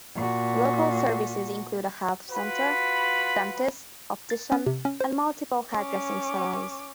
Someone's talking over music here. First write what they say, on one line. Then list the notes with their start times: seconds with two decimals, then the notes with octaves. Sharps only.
Local services include a health centre, dentist, optician and multiple hairdressing salons.
0.15 A#2 F#4
2.30 F4 F#4 B4 B5
4.30 A6
4.52 C#4
4.66 C3
4.85 C#4
5.01 C5
5.74 C#4 D6